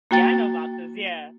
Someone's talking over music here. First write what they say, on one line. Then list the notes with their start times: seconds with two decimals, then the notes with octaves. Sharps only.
Yeah, I know Maltas, yeah.
0.11 A#3 F#4 G5 A6